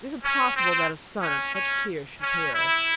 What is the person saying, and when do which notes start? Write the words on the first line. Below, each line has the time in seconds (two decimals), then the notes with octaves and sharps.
"It is impossible that a son of such tears should perish."
0.23 C#4
0.56 C4
1.22 C#4
1.55 C#4
2.21 C#4
2.54 E4